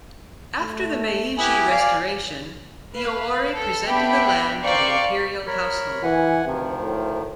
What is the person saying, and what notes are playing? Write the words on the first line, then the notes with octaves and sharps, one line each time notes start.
After the Meiji restoration, the Owari presented the land to the Imperial Household.
A3
B3 E4 G4 G#5
D5 F5
B4 F5
A4
B3 D4 G4 E5 G5 B5
A#4 C5 D5 F5 G5 C#6
A#4 C#5 B5
E3 F#5 G#5
D2 C3 D#3 F3
A2